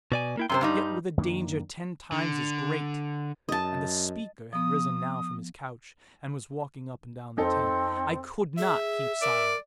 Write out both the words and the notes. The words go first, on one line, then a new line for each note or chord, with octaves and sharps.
Yet were the danger ten times as great," and the speaker had risen now from his couch and was walking up and down the tent, "I could not keep silent.
B2 D5 G#5
A#3 E4 G5
F#2 C3 C5 C6
G2 G3 D#4
F#2 D#3 A#3 D4
D3
F#2 D#5 A5
F3 B3 D#6
F2 C4 D#4 A4
G#4 E5
A#4 D5